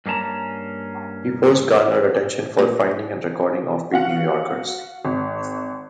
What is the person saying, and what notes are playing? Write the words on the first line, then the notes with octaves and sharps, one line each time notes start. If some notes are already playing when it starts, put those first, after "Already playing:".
He first garnered attention for finding and recording offbeat New Yorkers.
G2 A#3 C#4 A5 A#5
A#2
F#4 F5 F#5
G#1